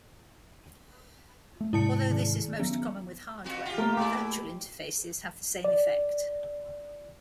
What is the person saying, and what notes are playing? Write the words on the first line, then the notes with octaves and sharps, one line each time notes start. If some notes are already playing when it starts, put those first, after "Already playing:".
Although this is most common with hardware, virtual interfaces have the same effect.
A3
G#2 C3 G#3 E4 A5 C#7
D#3
F#3 B3 C#4
F2 F#4
F4 G4
A3 A#3 A#4
G#3 E4 G4 D5
D5